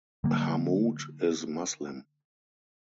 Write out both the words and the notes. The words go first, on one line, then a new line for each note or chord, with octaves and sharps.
Hammoud is Muslim.
D3 F#3 G3 A#3